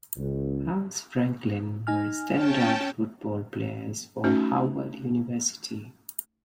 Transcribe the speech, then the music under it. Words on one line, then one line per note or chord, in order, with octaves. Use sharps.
House Franklin were standout football players for Howard University.
C#2
D#4 G#5 F6
C#4 G5 A5
A3 C#4 D#4 F#4